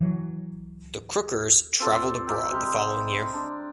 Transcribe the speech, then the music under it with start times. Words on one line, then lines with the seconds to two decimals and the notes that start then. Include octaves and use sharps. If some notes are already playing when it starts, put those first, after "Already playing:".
The Crookers traveled abroad the following year.
0.01 E3 F#3
1.80 C4 F4 A4 D5
2.27 G4 A#4 E5
2.50 C3 G3 G#3
3.33 D4